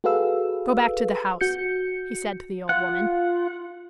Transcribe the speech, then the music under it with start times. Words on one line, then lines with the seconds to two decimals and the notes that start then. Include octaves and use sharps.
"Go back to the house," he said to the old woman.
0.04 F#4 G#4 A4 B4 F5 E6
1.41 F#4 G6 C#7
2.69 F4 F#5